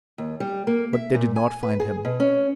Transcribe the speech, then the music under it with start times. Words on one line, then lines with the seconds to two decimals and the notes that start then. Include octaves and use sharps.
But they did not find him.
0.18 D#2
0.40 G3
0.67 A#3
0.93 E5
1.15 A#2
1.36 G#5
1.63 B4
1.80 G#4
2.05 B2
2.20 C#4